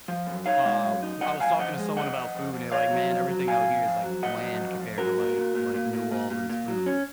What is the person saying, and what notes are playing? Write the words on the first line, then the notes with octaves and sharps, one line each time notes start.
uh, w I was talking to someone about food, they're like, "Man, everything out here is, like, bland compared to, like like, New Orleans food."
F3
F#2
D#4 C#5 F5
G#3
F#2
D#4
F#2 D#5 F#5
F#2 F5 G#5
F3 D#5 F#5
G#3
F2 D#5 F#5
F2
F2
F2
F2 C#5 F5
F#3
F2
F#3
C3 F5 G#5
F2
F2
F#3
F2 D#5 F#5
F#3
F2
F2
F#3 F#4 A#4
A#2
A#2
A#2
A#2
A#2
A#2
A#2
A#2
F#3
C#4